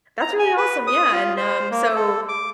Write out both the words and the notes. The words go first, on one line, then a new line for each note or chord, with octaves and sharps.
that's really awesome. Yeah, and, um, so,
A#5
G#5
B4
D#6
F4
C5
A#3
A4
D6